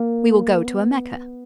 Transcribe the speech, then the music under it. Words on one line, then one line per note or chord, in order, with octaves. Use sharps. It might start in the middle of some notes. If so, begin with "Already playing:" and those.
We will go to a Mecca.
Already playing: A#3
B3